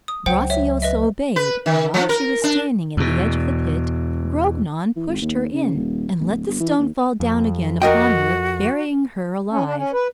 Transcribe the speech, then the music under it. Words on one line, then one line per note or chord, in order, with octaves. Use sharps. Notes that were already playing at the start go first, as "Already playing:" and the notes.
Graciosa obeyed; and while she was standing at the edge of the pit, Grognon pushed her in, and let the stone fall down again upon her, burying her alive.
D#6
C#2 F#3 C5 F#5 G5
C#5 E5
B4 D#5 E5
B4
D#3
F3
A#4
D4
E2 B2
E3
G#1
D#2
C#3
D#1
D1
G1
E3
D#2
F2
F#4 A#4 D#5 G5
C#4
D4
C#4
B4